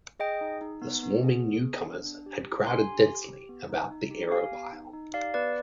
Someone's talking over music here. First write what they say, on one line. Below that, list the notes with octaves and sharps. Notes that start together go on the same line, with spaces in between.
The swarming new-comers had crowded densely about the aeropile.
G#4 D#5 G5
D#4
D#4
B3
B3
G#4
G#4
B3
D4
D4
G4
G4
D4 G#5 C6
G4
G4
G4
B3
D#4
D#4
G4
G4 F5 G#5
B3
D#4
D#4
G4 D5 F5
B3 B4 D5